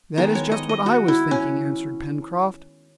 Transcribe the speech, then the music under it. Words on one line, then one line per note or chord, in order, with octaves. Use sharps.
"That is just what I was thinking," answered Pencroft.
D#3 G#3 B3 A#4
C#5
D#5
D#5
F#4
E4
C#4